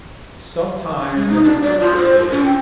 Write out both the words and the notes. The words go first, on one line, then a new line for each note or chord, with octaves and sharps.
sometimes they will put the fish
C#4
G#3
D#4
D4
D5
F4
C5
F4
C#4
G5